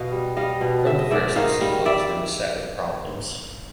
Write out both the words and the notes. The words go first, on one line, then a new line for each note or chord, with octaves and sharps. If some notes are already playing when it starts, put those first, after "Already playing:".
From the first, the Seahawks were beset with problems.
Already playing: B2 D#5 F5
G3
G3 D#5 F5
B2
G#2 E5
D#5
G#2 D5 E5
D#3 D#5 F5
G3
D5 E5